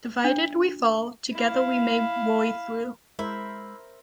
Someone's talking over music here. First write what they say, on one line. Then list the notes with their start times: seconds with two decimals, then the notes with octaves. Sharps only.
Divided, we fall, together we may worry through.
0.24 D4
1.33 E4 F5
3.19 G#3 E4 A#4 C5 E5